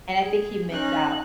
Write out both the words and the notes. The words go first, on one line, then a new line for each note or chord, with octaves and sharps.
And I think he missed out.
G#4
C#4 D#4 F#6